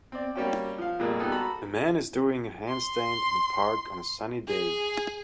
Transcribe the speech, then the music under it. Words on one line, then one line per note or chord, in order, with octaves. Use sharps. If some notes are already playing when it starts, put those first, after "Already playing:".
A man is doing a handstand in a park on a sunny day.
C4 D5
G3 A#3 C#4 F#4 G4 G5
F3 F5
F2 A#2 G3 G#3 A#3
G3 B3 D#4 A4
F#4 A4 A#5 B5
C6
G#4